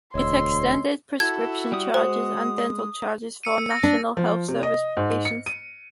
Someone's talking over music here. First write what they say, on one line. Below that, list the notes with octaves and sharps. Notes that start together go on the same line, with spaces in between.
It extended prescription charges and dental charges for National Health Service patients.
E1 D2 C#5 D#5 C6 E6
E4 F#4 A4 G#6
G3 D#6
G#3 C5 D#6
E6 C#7 D#7
A#6
D4
F3
C3
D#5
G#2
C#7
D#7